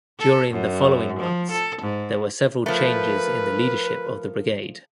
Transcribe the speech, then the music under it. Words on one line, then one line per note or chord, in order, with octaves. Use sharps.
During the following months there were several changes in the leadership of the brigade.
A4
F#2
F3
A4
G#2
F3 A3 A#4 B4